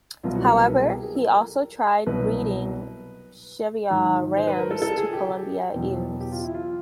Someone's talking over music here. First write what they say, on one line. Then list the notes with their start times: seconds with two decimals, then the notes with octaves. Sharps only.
However, he also tried breeding Cheviot rams to Columbia ewes.
0.23 C2 B2 F#3 F4
0.35 F#4
0.46 A4
0.58 B4
0.69 A#4
0.80 G#4
0.93 G4
1.03 G#4
1.15 A4
1.30 A#4
2.06 C2 B2 F#3 B4
3.90 G#2 D#3 F#3
4.37 C5
4.47 B4
4.59 A#4
4.71 A4
4.82 A4
4.98 G#4
5.13 G4
5.29 G4
5.74 E2 B2 F#3
6.21 G4
6.32 F4
6.44 E4
6.55 F4